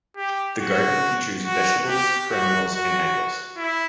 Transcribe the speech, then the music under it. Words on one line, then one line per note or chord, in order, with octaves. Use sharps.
The garden features vegetables, perennials and annuals.
G4
F#4
F#4
G4
F#4
F#4
E4